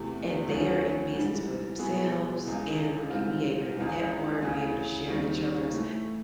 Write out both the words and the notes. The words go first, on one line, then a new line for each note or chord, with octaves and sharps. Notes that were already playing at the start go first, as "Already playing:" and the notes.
and they are in business for themselves, and we're ge we able to network, we able to share each other's,
Already playing: E2 C3 E3 A3
D2 D3 F3 A3 C#4
G#2 E3 G3
B2 G3 B3 E4 G#4
C#2 C#3 E3
G#2 E3 G3 C4 F4
C#2 C#3 E3 G#3
D2 C#3 E3
D#2 D#3 G3 C4 D#4
A2 E3 A3